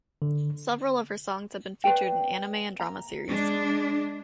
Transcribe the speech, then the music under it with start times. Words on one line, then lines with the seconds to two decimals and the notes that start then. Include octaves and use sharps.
Several of her songs have been featured in anime and drama series.
0.22 D3
1.84 B4 D5 G5
2.80 A#5
3.27 G#3 D4